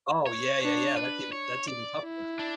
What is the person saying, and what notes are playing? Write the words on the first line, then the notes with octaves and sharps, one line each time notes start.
Oh, yeah, yeah, yeah, that's even that's even tougher.
C#5
D4 C#5
B4
C#5
D5
E4
D4